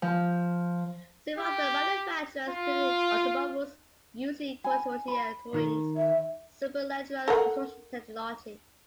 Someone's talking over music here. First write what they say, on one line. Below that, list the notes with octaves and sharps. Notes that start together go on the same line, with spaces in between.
Several other manufacturers created automobiles using Carozzeria Touring's superleggera construction technology.
F3
G4
F4
G#5 B5
B5
D#3
C#5 E5
A4 A#4 F#5